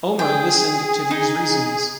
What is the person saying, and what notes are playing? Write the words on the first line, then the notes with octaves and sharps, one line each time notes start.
Omer listened to these reasons.
G#4 G5
D#4